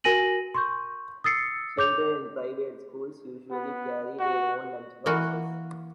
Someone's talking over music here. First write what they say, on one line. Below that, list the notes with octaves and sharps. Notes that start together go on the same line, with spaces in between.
Children in private schools usually carry their own lunch boxes.
F#4 A#4 G#5 A#6 D#7 F#7
C6 C#6 G6
D#6 E6 A6 C7 C#7
C#5 D6 G6 F7
B3
F#4
E3 A#3 F#4